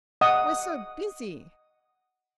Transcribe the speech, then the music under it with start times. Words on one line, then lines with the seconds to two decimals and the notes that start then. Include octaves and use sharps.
"We're so busy."
0.21 D#5 F#5 D#6